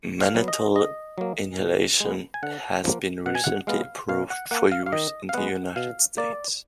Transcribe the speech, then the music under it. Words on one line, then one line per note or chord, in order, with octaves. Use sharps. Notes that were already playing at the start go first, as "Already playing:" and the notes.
Mannitol inhalation has been recently approved for use in the United States.
F5
F#3 B3
D#5
D3 D#5
F#3 A#3
B2
G#3 B3
G#5
D3 F#5
F3 A#3
B2 F#5
G#5
F#5
G#3 B3 F5
B2 F5
F#5
A#3 F#5
F5
F5
D#3 D#5
F5
G#3 B3 F#5
B2 F5
A#3 D5